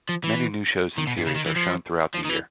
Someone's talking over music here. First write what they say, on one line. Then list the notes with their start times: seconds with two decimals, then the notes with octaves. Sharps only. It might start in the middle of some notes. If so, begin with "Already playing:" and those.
Many new shows and series are shown throughout the year.
0.09 F3
0.24 E3
0.98 D#3
1.07 B2
1.17 G2
1.27 C#3
1.36 D#3
1.46 E3
1.56 F3
2.15 F3
2.25 D#3
2.29 E3